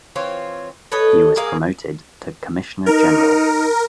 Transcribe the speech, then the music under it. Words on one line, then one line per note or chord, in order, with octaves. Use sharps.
He was promoted to commissioner general.
E3 C4 F4 C#5
A4 B4 C#5 D#5
G#3 A#3 G#4 F5
D#4 A#4